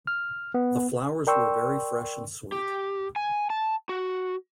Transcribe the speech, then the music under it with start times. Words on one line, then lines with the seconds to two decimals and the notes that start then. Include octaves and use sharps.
The flowers were very fresh and sweet.
0.07 F6
0.54 B3
1.27 A#4 D5 G5 C6 C#6 E6
2.52 G4
3.16 G#5
3.50 A5
3.89 F#4